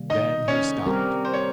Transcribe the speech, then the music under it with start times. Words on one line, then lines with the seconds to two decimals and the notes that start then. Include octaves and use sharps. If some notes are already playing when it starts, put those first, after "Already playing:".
Then he stopped.
Already playing: C3 D#3 G3 A#3
0.10 D#4 D#5
0.48 C#4 C#5
0.86 G3 C4 G4 A#4
1.25 C5
1.33 C#5